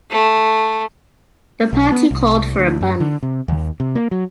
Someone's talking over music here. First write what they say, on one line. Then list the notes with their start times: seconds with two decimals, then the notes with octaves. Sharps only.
The party called for a ban.
0.11 A3
1.73 B1
1.92 B3
2.11 C2
2.59 D2
2.81 F#2
3.00 D3
3.23 C3
3.48 D#2
3.80 C3
3.95 A#3
4.11 F#3